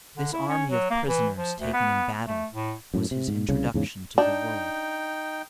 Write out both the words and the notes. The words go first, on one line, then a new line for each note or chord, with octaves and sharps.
This army of prisoners taken in battle was his introduction to the world.
D3
E4
C#4
F#3
A#3
E3
F3
D2
B3
A3
A2
F#2 A2
C3
G#2
C2 C#3
E2 G#2 C#3
D4 D#4 G5